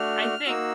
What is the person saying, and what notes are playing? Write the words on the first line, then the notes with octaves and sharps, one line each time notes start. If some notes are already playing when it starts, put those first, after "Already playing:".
I think
Already playing: A3 D4 F#4 F6
A#3 D#4 F#4 E6